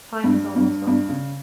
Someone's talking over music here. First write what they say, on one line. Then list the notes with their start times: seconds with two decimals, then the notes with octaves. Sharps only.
Time is almost up.
0.24 G2
0.56 G2
0.87 G2
1.09 C#3